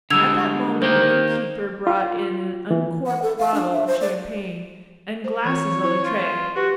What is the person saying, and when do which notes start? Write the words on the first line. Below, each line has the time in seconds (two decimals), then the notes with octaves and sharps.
At that moment the innkeeper brought in an uncorked bottle of champagne, and glasses on a tray.
0.10 D3 G3 G#3 E6 G#6 F7
0.82 D#3 A#3 G4 C5
1.87 F4
2.71 E3
3.06 F#5
3.22 A4
3.38 F5
3.54 D4
3.72 E5
3.87 C5
4.01 D5
5.24 C5
5.45 E3 C4 F4 C#5
5.83 E4 C5 C#5
6.04 F4
6.56 F#4 G4 B4